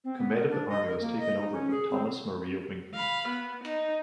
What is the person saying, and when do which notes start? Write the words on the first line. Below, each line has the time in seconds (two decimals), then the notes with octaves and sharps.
Command of the army was taken over by Thomas Maria Wingfield.
0.04 C4
0.18 B3
0.35 A#4
0.50 D4
0.68 D#5
0.87 A#4
1.01 A#3
1.19 D#5
1.37 D#4
1.52 C#4
1.71 G#4
1.90 C4
2.95 F5 B5
3.28 B3
3.64 D#4